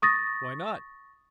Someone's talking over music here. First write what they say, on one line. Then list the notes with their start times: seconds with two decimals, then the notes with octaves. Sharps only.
"Why not?"
0.02 C#6 D#6 A6 A#6